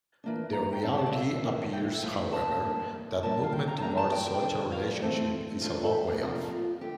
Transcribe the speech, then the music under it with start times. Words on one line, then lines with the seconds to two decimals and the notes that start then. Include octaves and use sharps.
The reality appears however that movement towards such a relationship is a long way-off.
0.24 E3 A#3 D4
0.53 A#5
0.73 G5
0.83 A2 G3 C4 A5
0.98 A5
1.06 D5
1.13 E5
1.42 A2 E3 A#3
1.73 G5
1.83 F5
1.92 E5
2.02 A2 F3 A3 F5
2.33 A5
2.62 E3 G3 A#3 D4
3.22 A#2 G3 A#3 D4 A5
3.43 F5
3.52 G5
3.68 A#5
3.78 A5
3.82 E3 G3 A#3 D4 A#5
3.97 A5
4.12 G5
4.27 G5
4.42 D3 G3 D4
4.72 F5
4.88 D5
5.02 E3 A3 C4 C5
5.61 E3 A3 D4 F4
5.84 A4
5.92 G4
6.21 C3 F3 A#3 D4 F4
6.81 D3 A3 G4